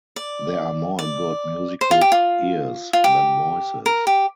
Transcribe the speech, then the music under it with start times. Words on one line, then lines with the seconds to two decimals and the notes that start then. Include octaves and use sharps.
There are more good musical ears than voices.
0.16 D5
0.99 D5
1.81 C5
1.91 F4
2.01 G4
2.12 F4
2.93 F4
3.04 G4
3.86 A#4
4.07 G4